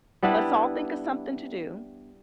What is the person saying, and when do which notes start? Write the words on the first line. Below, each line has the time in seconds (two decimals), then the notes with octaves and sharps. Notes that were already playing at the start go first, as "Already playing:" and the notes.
let's all think of something to do,
0.23 G3 B3 D4 E4